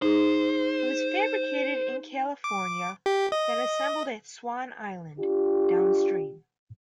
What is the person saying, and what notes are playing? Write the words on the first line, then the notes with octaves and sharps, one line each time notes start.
It was fabricated in California then assembled at Swan Island, downstream.
D#4 G#4 C5
D6
G4
D#5
D4 F4 G4